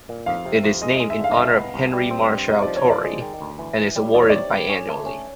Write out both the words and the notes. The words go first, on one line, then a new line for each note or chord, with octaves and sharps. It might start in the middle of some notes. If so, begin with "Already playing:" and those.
It is named in honour of Henry Marshall Tory and is awarded bi-annually.
A#2
F2 F5
C3
E5
F2
G#3 D#5
G#3 D#5
E5
D3 F5
D#5
C2 E5
B3
C2
G3
C4
G2
C3 D#5
F3 D5
C#5
F3
D5
G#3
D#3
D2
E3
E3
G3
E2 D5
C#5
C3 D5
G3
C#4
A3
C#4